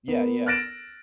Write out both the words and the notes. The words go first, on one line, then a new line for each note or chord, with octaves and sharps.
Yeah, yeah.
B3 A#4
F6 F#6 A6 A#6 D7 E7